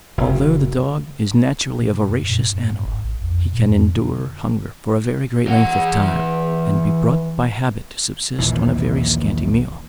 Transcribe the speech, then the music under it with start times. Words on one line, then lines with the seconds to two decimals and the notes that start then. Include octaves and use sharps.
Although the dog is naturally a voracious animal, he can endure hunger for a very great length of time, and be brought by habit to subsist on a very scanty meal.
0.18 F#1
1.79 B2
2.09 F#2
2.29 A#2
2.45 G2
2.70 G#2
2.84 G1
2.99 A#1
3.22 F2
3.53 A#2
3.68 F2
3.96 D3
5.47 E3 F#5
8.38 A#1 D#2 A#2 E3